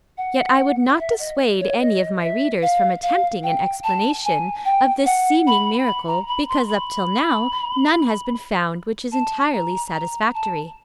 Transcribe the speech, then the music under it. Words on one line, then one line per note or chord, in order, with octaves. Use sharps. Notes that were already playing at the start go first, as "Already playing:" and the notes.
Yet I would not dissuade any of my readers from attempting an explanation of this seeming miracle because up till now none has been found which is entirely satisfactory.
F#5
E5
D#5
C#5
D#5
E5
F5
F5
G5
A5
G#5
G5
F#5
B5
B5
A#5
B5
C6
B5
A5
A#5
A#5
A5